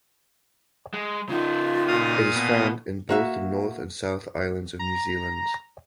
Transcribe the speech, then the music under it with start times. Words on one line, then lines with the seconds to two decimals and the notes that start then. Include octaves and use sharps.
It is found in both the North and South Islands of New Zealand.
0.94 G#3
1.29 C#3 D#4 F4
1.88 A#2 F5 D#6
2.36 B2
3.09 A#3 F#4 E5
4.79 A#5